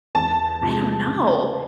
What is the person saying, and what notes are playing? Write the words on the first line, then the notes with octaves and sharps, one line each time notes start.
I don't know,
E2 A5
C3 F3 G#3
C#3